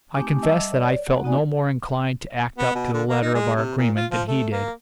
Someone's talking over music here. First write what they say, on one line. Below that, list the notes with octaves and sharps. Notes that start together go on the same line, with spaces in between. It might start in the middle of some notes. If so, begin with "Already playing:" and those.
I confess that I felt no more inclined to act up to the letter of our agreement than he did.
A3 C4 D#4 G4 G#5 D6
G3 D#5 E5 A5 D6 E6
C#5 D5
A#3 F#4 F#5
B3 D#4 F#4 D5 G#5
B3
B2
D3
A#3
D#4
G#3
C3
A#2
F4
F3
A3
A#3